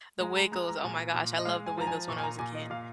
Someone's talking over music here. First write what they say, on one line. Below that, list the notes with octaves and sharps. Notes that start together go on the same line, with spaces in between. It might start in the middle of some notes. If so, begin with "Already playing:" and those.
The Wiggles, oh my gosh, I loved The Wiggles when I was a kid.
G#3 A#5
A#5
G#3 A#5
A#5
A#2 G#5
A#2
D#5
G#3 F5
G#5
F3 A#5
G#5
A#2 C#6
G#5
A#5
A#2 G#5
D#5
A#2 F5